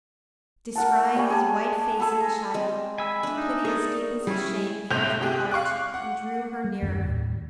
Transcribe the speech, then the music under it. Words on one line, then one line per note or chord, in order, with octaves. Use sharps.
Descrying his white face in the shadow, a pity as deep as his shame filled her heart and drew her nearer.
A#4 F#5 A5
G3 C#5 G#5
G#4 D5 A5
G#4 A4 A5 B5
A#5
G#3 C4
G#5 B5 E6
D4 E5
D#4
G#4 A#4 C#5 D5
G3 C#4 E4 G#4 C#5
G1 C2 A2 C4 G6 F7
C3 G4 G#4 G5 F#6
F5 C#6 D6 F#6
F#5
G3
D#1 F#2 D#3 C#4
D#2 A2